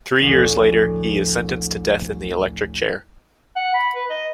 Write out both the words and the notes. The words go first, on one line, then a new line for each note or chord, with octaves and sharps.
Three years later, he is sentenced to death in the electric chair.
A1 D2 F3
F#5
B5
B4
D#5